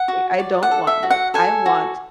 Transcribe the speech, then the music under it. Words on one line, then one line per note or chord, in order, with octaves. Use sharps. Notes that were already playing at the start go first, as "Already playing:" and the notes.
I don't want meds, I want
Already playing: F#5
F#4
D5
F#5
A4
E5
F#4
F#5
A4 G#5
F#4